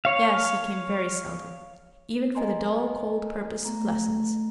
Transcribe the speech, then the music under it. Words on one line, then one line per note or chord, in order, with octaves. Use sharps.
Yes! he came very seldom, even for the dull cold purpose of lessons.
C#5 F5
A#4 D#5 G#5 A#5 C6
A3 B3 A#5